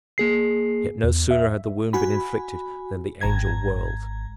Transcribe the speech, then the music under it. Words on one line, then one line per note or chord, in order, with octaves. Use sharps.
Yet, no sooner had the wound been inflicted than the Angel whirled.
A#3 G#4 C7
E2
E5
F#4 G#5 B5
G#1 A#5 G#6